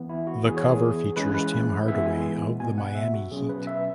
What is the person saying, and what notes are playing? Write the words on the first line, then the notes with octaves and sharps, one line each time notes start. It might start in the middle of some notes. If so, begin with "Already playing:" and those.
The cover features Tim Hardaway of the Miami Heat.
Already playing: E3 B3
E4
F#4
E3 B3 G#4
C#5
G#4
E3 G#3 C#4 B4
B4
E3 G#3 B3 E5
G#5
B2 B3 G#5
F#5
E5
F#4
B2 F#3 C#4 G#4
B4
E5